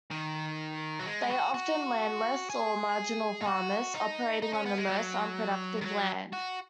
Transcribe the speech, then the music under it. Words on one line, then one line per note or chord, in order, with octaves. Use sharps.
They are often landless or marginal farmers operating on the most unproductive land.
D#3
F#3
G#3
G#4
F#4
F#4
G#4
D#4
F#4
D#4
D#4
C#4
B3
G#3
F#3
D#3
F#3
F#4